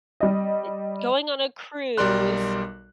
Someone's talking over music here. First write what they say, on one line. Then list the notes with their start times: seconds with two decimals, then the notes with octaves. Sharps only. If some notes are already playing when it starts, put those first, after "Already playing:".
eh, going on a cruise,
0.20 G3 D#5
1.98 B1 G3 A#4 D5 C6 F#6